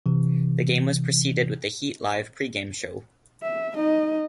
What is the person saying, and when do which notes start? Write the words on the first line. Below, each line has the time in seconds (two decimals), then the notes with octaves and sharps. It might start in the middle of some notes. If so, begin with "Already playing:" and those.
The game was preceded with the "Heat Live" pregame show.
0.06 C3 E3
3.43 E5
3.76 D#4 D#5